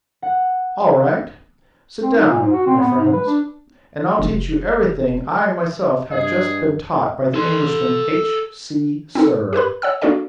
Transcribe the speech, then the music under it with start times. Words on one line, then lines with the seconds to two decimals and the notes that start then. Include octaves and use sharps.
"All right, sit down, my friends, and I'll teach you everything I myself have just been taught by the Englishman H. C. Sirr!"
0.22 F#5
2.02 C4
2.15 D#4
2.28 A#2
2.42 G#2
2.53 F#4
2.66 C4
2.80 B3
2.98 G#2
3.13 B4
3.27 D4
4.19 F1
6.11 G2 G#4 D#5
7.34 A4 C6
9.15 C4 D#4 A4
9.53 G4 A#4 B4 B5
9.82 C#5 F#5 E6
10.02 A#3 D4 F#4 A4 D5 G5